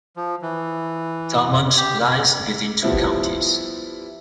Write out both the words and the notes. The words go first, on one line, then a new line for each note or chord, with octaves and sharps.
Tallmadge lies within two counties.
F3
E3
G4
F3 G3 B3 E4